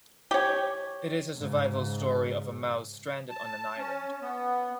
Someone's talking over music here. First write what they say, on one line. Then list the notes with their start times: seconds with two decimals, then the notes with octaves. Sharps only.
It is a survival story of a mouse stranded on an island.
0.31 G4 C#5
1.36 G#2 C#3
3.29 A5
3.78 C#4
4.22 B3